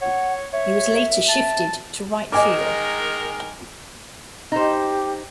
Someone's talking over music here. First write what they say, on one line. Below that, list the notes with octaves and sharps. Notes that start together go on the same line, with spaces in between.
He was later shifted to right field.
C#5 F#5
C#5 E5
A5
D#3 G#3 A#4 D#5 G#5 D6
D#4 G4 C5